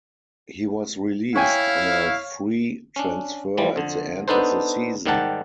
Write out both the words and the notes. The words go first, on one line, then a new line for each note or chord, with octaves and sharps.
He was released on a free transfer at the end of the season.
E4 C#5 F5 G5 G#5 C#6
C#4 D4
E3 F3 G3
F2 D3
B3 D4 D#4 A4 B4 C5
G#2 D#3 G3 G4 F#5 A5